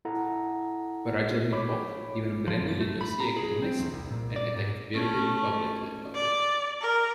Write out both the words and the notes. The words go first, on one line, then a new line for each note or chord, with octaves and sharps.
Prajadhipok even branded the dossier "communist" and attacked Pridi publicly about it.
E4 A4 F#5 A#5
C#5 B5 D6
F3
F#2
A3
B5
A#5
G#4
C4
E2
C2
A#2
D5
G#2
A3 C#4
D5
A#4